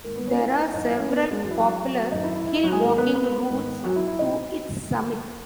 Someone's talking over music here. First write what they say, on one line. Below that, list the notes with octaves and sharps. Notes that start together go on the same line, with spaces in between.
There are several popular hillwalking routes to its summit.
G#2 D#3 A#3 A#4
B3 B4
C#4 C#5
E4 E5
F#2 D#3 D#4 D#5
E4 E5
C#4 C#5
B3 B4
A#3 A#4
G#3 G#4
F#2 E3 F#4
E4
F#3 F#4
F#2 D#3 D#4
E4
E4
E4
D#4
F#3 F#4
G#3 G#4
G#2 D#3 A#3 A#4
B3 B4
B3 B4
G#2 D#3
F#3 F#4
E4
E4
B2 D#4 D#5